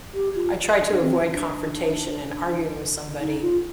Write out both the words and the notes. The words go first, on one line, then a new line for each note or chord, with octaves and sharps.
I try to avoid confrontation and arguing with somebody
G4
F4
D4
C4
D4
D#4
F4